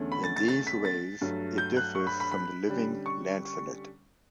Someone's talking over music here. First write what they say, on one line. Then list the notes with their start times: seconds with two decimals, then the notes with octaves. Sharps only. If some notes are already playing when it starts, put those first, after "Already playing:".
In these ways, it differs from the living lancelet.
Already playing: E2 D3 A3 C#4
0.12 B5
0.24 A6
0.36 A6
0.48 A6
0.67 B6
0.85 A6
1.21 G2 F#3 A3
1.58 G6
1.77 F#6
1.95 C#6
2.07 B5
2.20 B5
2.32 B5
2.68 D3 G3 C#4
3.06 C#6